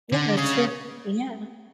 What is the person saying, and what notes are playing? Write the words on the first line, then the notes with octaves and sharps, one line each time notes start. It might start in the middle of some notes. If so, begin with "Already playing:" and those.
Yeah, that's true. Yeah.
D3
C#3